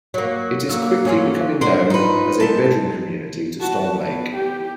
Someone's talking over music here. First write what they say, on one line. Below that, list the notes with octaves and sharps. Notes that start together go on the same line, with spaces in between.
It is quickly becoming known as a "bedroom community" to Storm Lake.
F#3 A#3 C#5
F#3 A#3 E6
F#3 A3 C#4 F4 C#5 G#5
D4 F#4 A#4 C5
D#4 F4 B4
G#3 C4 A#4 A5
F#4 A5
B3
G4